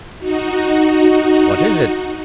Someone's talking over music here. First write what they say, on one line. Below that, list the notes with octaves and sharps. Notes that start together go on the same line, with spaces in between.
"What is it?"
D#4 F#4